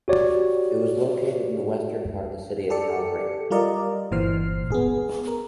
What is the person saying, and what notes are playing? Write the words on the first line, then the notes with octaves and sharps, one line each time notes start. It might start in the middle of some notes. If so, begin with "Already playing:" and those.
It was located in the western part of the City of Calgary.
F#4 G4 C#5 D5
G4 A4 D5 C#7
G3 F4 A#4 D5 D#5
G1 A#2 E3 C5 F6 C7
B3 G#4
A#4